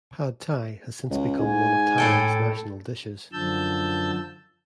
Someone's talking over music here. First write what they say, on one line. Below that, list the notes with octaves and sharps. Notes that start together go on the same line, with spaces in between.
Pad thai has since become one of Thailand's national dishes.
C#2
G#2 G#5
A2 A4 G5
F#2 D3 F3 A5 E6 G6